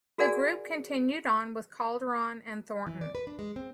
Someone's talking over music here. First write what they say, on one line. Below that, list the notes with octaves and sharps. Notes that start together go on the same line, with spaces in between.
The group continued on, with Calderon and Thornton.
F#4 G#4 A#4 D5 F#5 G#5
E3
D5
B4
D4
G#3
C4